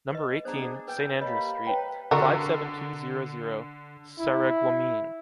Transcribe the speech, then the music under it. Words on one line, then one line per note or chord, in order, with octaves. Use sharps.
Number eighteen, St Andrews street, five-seven-two-zero-zero, Sarreguemines.
B4 D#5
B3 D4 G#4 C5 A#5
B4 G5 G#5
A#3 G4 B4 C#5 D#5 B5
B4 C#5 G5 A#5
D3 D4 F#4 A#4
E4